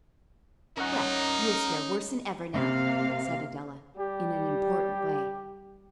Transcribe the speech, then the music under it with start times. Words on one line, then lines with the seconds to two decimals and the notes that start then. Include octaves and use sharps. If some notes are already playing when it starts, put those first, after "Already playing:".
"Well, you'll stare worse than ever now," said Adela, in an important way.
0.77 C#4 D#4 A#4 F#5
2.53 C3 A#3 F5
4.00 G3 G4